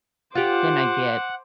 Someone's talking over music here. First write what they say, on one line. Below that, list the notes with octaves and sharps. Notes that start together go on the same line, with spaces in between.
then I get
F4 G4 C5 F#5 D6